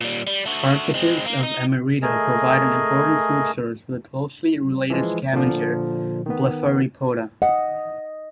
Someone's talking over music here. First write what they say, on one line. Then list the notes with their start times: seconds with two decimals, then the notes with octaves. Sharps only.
Carcasses of "Emerita" provide an important food source for the closely related scavenger "Blepharipoda".
0.01 A#2 G3
0.27 G3
0.46 A3 F#4
0.94 G#3 C4
1.26 A#3
1.43 D#4
2.02 A3 G#4 A#4 D#5 G#5
4.90 E3 F3 G#3
5.33 A#2 D3 F3
6.26 D#3 B3
7.42 D#5 F#5